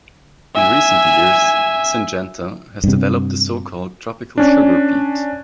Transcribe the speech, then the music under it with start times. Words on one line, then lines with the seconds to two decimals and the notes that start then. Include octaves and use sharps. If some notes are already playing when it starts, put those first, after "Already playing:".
In recent years, Syngenta has developed the so-called tropical sugar beet.
0.55 E5 G#5
2.84 G2 C3
4.38 C#4 D4